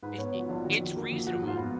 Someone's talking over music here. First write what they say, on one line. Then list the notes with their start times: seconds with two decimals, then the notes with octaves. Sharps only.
It's i it's reasonable,
0.03 G#2 B4
0.18 B3 C#5
0.34 F3 F#4
0.49 A#1 F4
0.65 D#3 F#4
0.80 F2
0.96 A#3 F#4
1.12 F2
1.27 F3 F#4
1.42 G#2
1.47 F4
1.57 B3